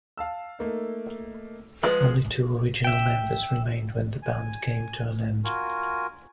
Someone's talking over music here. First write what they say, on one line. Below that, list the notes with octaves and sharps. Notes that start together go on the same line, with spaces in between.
Only two original members remained when the band came to an end.
F5 A5 E6
A3 A#3 D#4
F3 G#3 B4
E5 G5
G#5
F4 F#4 A#4 G#5